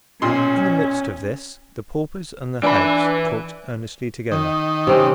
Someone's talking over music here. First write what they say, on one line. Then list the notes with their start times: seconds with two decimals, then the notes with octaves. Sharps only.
In the midst of this the paupers and the hags talked earnestly together.
0.22 B1 A#2 C#4 C6
2.63 E3 D4 B5
4.31 D#3
4.87 C3 C4 C#4